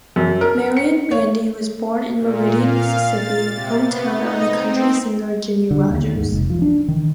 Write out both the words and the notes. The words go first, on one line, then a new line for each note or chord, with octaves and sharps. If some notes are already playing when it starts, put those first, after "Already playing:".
Marion Bandy was born in Meridian, Mississippi, hometown of the country singer Jimmie Rodgers.
F#2
A#4
C#7
C#5
A#2
F5
A6
C3
B3
D#4
C4
D3
D#2
G#2
F1
F3
D4
D#3